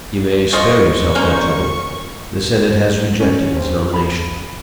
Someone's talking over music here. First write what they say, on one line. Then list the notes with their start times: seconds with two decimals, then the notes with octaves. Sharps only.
"You may spare yourself that trouble; the senate has rejected his nomination."
0.53 F4 C5 D#5 C#6
1.15 A#3 C#4 C5
3.20 C#4
3.57 C4
3.94 B5